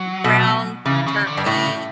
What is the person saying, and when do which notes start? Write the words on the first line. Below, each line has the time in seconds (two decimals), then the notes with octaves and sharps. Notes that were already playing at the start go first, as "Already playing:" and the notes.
m ground turkey,
Already playing: F#3
0.24 B2
0.86 C#3 E3
1.07 C#3
1.27 D3
1.37 G2
1.46 A2 C#3